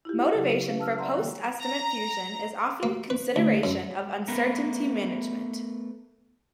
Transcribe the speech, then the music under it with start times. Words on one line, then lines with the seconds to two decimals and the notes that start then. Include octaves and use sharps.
Motivation for post-estimate fusion is often consideration of uncertainty management.
0.05 E4 F4 G4
0.34 C#3 F#3 G4
0.64 C#4 B4 F5
0.78 F5 A5 E6 F6
0.99 D5 E5 F#5 A#5 C6
1.14 D#3 G3 A#3
1.60 A#5
2.83 A#3
3.10 B4
3.36 D2
3.64 F#2
4.28 A3 B3 A#4